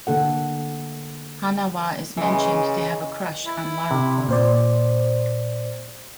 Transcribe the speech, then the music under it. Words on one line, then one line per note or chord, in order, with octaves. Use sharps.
Hanawa is mentioned to have a crush on Maruko.
D3 A#3 A4 F#5
C#3 E3 G#3
E4
C3
A#2 C5 D5